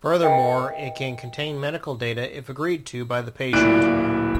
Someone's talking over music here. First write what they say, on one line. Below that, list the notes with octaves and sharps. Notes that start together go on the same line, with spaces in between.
Furthermore, it can contain medical data if agreed to by the patient.
A#4 B4 D#5 E5 G5
D1 A#2 E4 F#6 D7